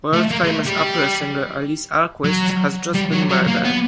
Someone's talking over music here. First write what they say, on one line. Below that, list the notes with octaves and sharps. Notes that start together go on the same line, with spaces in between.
World-famous opera singer Alice Alquist has just been murdered.
A3
A#3
G#3
A3
G3
F#3
G3
F#3
F#3
A#3
B3